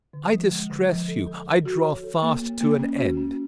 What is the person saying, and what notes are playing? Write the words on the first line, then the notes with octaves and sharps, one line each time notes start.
I distress you; I draw fast to an end.
D3
F3
G#3
D3
F3
A4
A4
A4
F#4
C#5
A4
A#3
A#3
A#3
C#4
F#4
C#4